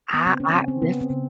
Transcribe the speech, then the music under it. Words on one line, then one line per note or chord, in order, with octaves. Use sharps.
I I this
B3
C#3 C4
C#4
C#3 C4
C4
C#3 B3
C4
C#3